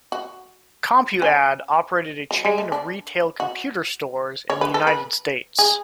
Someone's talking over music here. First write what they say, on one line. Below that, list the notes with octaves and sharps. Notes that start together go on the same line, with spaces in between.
CompuAdd operated a chain of retail computer stores in the United States.
F#4
C#4
F#3
G#3
A3
D4
F#4
C#5
B4
A4
B4
G#4